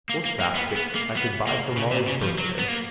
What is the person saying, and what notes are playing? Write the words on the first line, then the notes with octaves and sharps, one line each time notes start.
Workbasket I could buy for Molly's birthday.
A#3
A#3
A#3
B3
B3
A#3
B3
A#3
C#3
A#2
C#3
F3
F#3
B3
A#3